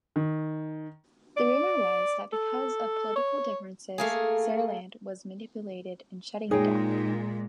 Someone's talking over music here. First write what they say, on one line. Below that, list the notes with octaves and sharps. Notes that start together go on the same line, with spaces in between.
The rumour was that because of political differences Surland was manipulated in shutting down.
D#3
D5
A4
C#5
A3 A#3 G#4
A#2 G#3 D#4 G#4 C#5 G5